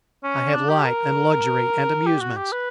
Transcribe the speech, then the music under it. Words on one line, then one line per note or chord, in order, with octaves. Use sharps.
I had light and luxury and amusements.
C#4
D4
G4
A#4
G4
F#4
G4
B4